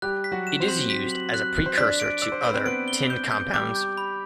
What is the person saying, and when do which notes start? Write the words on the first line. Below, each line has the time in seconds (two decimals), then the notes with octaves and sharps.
It is used as a precursor to other tin compounds.
0.02 G3 G4 F#6
0.24 B6
0.32 F#3 F#4
0.47 E7
0.60 C4 C5
0.68 C6
0.90 B6
1.12 F#7
1.34 F#6
1.56 F#6
1.66 C5
1.78 D4 D5 B6
2.00 D7
2.22 D5 E6
2.32 C5
2.43 B4 E6
2.54 C4 C5
2.66 B3 B4 D7
2.88 G7
3.10 G6
3.32 G6
3.54 G3 G4 D6
3.75 G6
3.97 B5